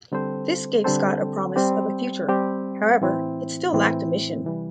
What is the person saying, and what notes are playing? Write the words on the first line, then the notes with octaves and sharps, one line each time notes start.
This gave Scott a promise of a future; however, it still lacked a mission.
D3 G3 C4 A4 C5
D3 G3 C4 A4 C5
G3 C4 G4
G3 C4 G4
A2 E3 C4 E4
A2 E3 C4 E4
C3 E3 G3